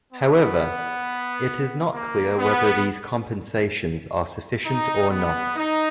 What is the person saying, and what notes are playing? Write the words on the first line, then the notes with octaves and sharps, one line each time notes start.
However, it is not clear whether these compensations are sufficient or not.
B3
A#3
B3
D#4
B3
D#4